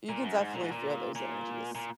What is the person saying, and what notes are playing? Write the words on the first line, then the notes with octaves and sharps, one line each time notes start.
you can definitely feel those energies.
A#2
F#2
G#2
A#2
G#2
A#2
A#2
A#2